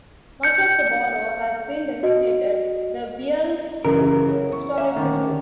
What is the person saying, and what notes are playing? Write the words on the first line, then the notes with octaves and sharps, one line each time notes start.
Much of the borough has been designated the Beallsville Historic District.
G6 C#7
F#4 D#5
F#2 C#3 E3 A#4
B3 C#4 E4
C#6
A3 A#3 F#4 E5
D2 D#3 G3 C#4 A4